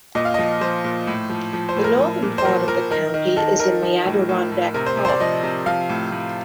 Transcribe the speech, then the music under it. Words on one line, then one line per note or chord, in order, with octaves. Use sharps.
The northern part of the county is in the Adirondack Park.
A#2 D#5
F5
F3 D#5
F3 C5
A#2
A2
F3
F3
C5
A2
A#4
F3
A#2
C5
F3 A#4
F3 A#4
D#3 A#4
D#3
D#3 A4
D#3 A#4
F3
A2
A2
A2
C3 A#4
C5
C3
C5
D5
F3 D#5
C3
F3 F5
A2
A2